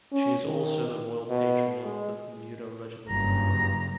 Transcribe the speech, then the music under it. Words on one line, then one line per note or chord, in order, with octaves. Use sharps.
She is also the Royal Patron of the Bermuda Regiment.
C#4
D#3
B2
G#3
F#1 G2 C#3 A#5